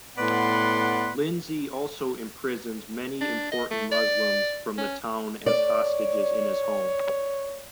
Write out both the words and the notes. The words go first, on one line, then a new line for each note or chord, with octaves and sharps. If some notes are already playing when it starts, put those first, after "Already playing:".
Lindsay also imprisoned many important Muslims from the town as hostages in his home.
A2 B3 B4 D5 F#5 C6
D4
D#5
A3
D5
C#4
C#5 D5